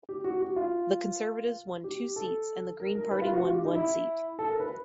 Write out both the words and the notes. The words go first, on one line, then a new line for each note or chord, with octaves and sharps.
The Conservatives won two seats and the Green Party won one seat.
G4
F#4
G4
F#4
F4
G4
A4
A#4
A#4
B4
F4
F#4
F4
G4
D#4
E4
A4
A#4
B4